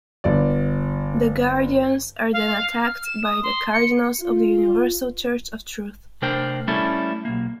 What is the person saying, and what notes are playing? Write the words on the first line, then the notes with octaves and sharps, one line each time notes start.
The Guardians are then attacked by the Cardinals of the Universal Church of Truth.
G1 D5
F5
F6
E7
D#6
C6
C#7
F4
C3 A3 D4 A#4 C5 G5
G3 A3 C#4 E4 A4
B1 A#3